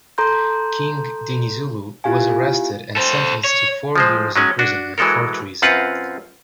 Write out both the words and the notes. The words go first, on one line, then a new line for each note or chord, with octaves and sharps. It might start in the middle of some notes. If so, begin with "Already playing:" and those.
King Dinizulu was arrested and sentenced to four years imprisonment for treason.
A4 A#5 C6 G6
B3 E4 F4 G4 F5 G#5
A4 C5
C#5
F3 G#3 C5
F#3 G#3 C#4
D4 F#4
E3 F#3 G#3 A4 A#4
F#2 C4 F4 B4 F#5